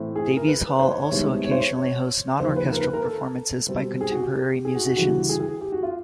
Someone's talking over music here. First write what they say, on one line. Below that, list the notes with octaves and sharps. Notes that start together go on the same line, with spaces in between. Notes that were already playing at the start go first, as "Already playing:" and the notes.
Davies Hall also occasionally hosts non-orchestral performances by contemporary musicians.
Already playing: A2 E3 A3 C4
G#4
A#4
B4
C5
C#5
C#5
C2 C3 D#3 G#3 B3
C#5
C5
C#5
C#5
D#2 C#3 F3 A#3 C5
B4
A#4
B4
A#4
A4
B2 G3 C4
G#4
F#4
G4
G#4
F#4
F#4
D2 C#3 E3 G3 F#4
G#4
G#4
G4
F#4
F4